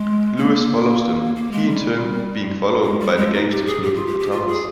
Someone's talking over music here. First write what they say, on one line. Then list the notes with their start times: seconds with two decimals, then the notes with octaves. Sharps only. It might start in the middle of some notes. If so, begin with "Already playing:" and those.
Lewis follows them, he in turn being followed by the gangsters looking for Thomas.
Already playing: G#3
0.37 A#3
1.35 A#3
1.52 G#3
1.69 G3
2.83 G#3
3.00 G3
3.17 G#3
3.33 D#4
3.49 G4
3.66 G#4
3.82 G4
3.95 F4
4.06 G4
4.19 G4
4.31 F4
4.47 G#4